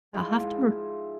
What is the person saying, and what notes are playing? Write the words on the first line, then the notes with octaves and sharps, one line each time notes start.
I'll have to r
G#2 F3 E4 F4